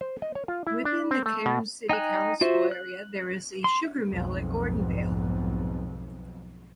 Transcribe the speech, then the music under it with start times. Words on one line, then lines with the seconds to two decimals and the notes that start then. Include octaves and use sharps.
Within the Cairns City Council area there is a sugar mill at Gordonvale.
0.01 C5
0.22 D#5
0.35 C#5
0.48 F4
0.67 E4
0.85 D4
1.11 C4
1.26 A3
1.46 B2
1.89 D#4 G5 G#5 F#6
2.41 F4 F#4 C5 E5
2.71 F#6
3.64 C6
4.07 B1 F2 G#2